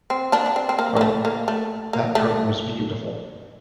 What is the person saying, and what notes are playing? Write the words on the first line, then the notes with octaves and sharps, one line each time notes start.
Oh, that part was beautiful.
C4
A#3 D4
D4
C4
C4
A#3
A#3
A3
A#3
A3
A#3
A3